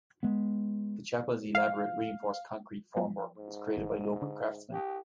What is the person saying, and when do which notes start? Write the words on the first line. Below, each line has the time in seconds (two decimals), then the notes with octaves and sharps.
The Chapel's elaborate reinforced concrete formwork was created by local craftsmen.
0.23 G#3 B3
1.55 F5
2.97 F3 F#3 B3
3.37 G#2
3.77 G#1
4.22 D3
4.72 G4